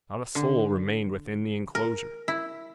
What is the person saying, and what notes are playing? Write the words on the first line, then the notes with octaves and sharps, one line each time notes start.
Not a soul remained within the enclosure.
D3
A#4
E4